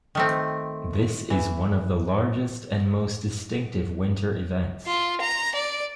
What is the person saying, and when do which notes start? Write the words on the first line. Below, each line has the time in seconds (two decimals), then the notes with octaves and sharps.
This is one of the largest and most distinctive winter events.
0.15 D#3 A3 C4
1.30 E3
4.87 F4
5.21 A#5
5.55 D5